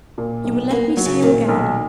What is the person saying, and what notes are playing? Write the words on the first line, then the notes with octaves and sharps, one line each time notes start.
You will let me see you again?
A#2
B1
A#3 B3
F#3
C#3
A#2 D#3
B1